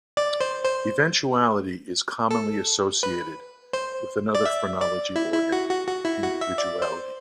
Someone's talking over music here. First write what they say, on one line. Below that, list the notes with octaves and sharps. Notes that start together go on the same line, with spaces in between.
Eventuality is commonly associated with another phrenology organ, Individuality.
D5
C5
C5
A4
B4
C5
D5
E5
D5
E4
E4
F#4
F#4
F#4
E4
F#4
E5
D5
C5